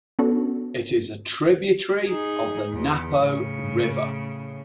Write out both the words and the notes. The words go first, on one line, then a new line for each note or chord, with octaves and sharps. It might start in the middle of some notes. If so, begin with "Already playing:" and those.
It is a tributary of the Napo River.
B3 C#4 D4 F#4 A4
D#4 G#4
E2
A2 C#3